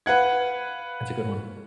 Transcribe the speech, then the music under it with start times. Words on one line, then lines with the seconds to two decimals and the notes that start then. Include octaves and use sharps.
That's a good one.
0.06 B4 F5 F#5 G#6